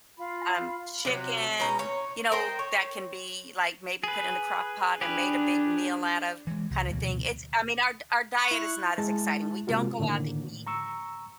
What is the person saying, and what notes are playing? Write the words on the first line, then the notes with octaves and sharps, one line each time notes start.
um, chicken, you know, that can be, like, maybe put in the crock-pot and made a big meal out of kinda thing, it's I mean, our d our diet is not as exciting, we don't go out to eat.
F4 F5 B5
C3 F#3
B2 C#4 D#4 A#5
C#5
A#4 C5 D#5 G5
C#5
G#4 B4
D4 G4 G#4 B4
E3 G#3
C2
D2 B2 E3 F#3
C#6 F#6
E4
G#3 E4 A5
C3 G#3 A#3 F4 F#4
A2 D3 D#3 A#3
A#5 C#6 E6